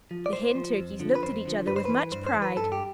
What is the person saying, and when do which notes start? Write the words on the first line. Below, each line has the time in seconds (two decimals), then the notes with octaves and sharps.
The Hen Turkeys looked at each other with much pride.
0.11 F3
0.26 D5
0.33 A2 C5
0.55 F3
0.78 F2
1.00 D3 F3
1.15 B4
1.22 F2 C5
1.45 D3 F3
1.67 G2 B4
1.76 C5
1.85 E3 B4
2.12 G2 C5
2.26 C5
2.34 E3
2.42 B4
2.57 G2 A4
2.72 G4